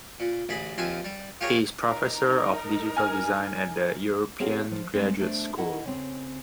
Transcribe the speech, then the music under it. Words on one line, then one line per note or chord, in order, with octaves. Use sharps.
He is Professor of Digital Design at The European Graduate School.
A#2
A1 D2 G#4 B5
D#2 F3 C4 E5 G#5
G3
F4 G4 G#4 A#4 C#5 D#5
D#4 A#4
G#5 F6
A#3 C4 C#4 F#4 G#4 A4
F3
G3 G#3 A#3 C4
A3 D4 C5
E4 A4 D#5 F#5
C#3 C4